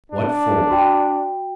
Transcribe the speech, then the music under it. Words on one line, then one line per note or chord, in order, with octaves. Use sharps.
"What for?"
D4
F#4 G5